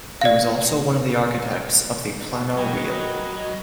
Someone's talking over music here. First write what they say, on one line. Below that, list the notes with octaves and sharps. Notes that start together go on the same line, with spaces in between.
He was also one of the architects of the Plano Real.
D5 F5
F#3 G4 A#4 B4 C#5 D#5 F#5